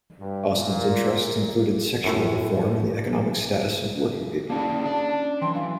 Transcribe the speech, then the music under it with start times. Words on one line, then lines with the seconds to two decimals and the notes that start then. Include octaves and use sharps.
Austin's interests included sexual reform and the economic status of working people.
0.20 G2
0.57 A#2
2.04 F#2 A2 A3
4.50 A#3 C#4 E4 G4 G#4 D5 A5
4.86 D4
5.42 E3 F3 G5 C6
5.55 F#3 D4 E4 F5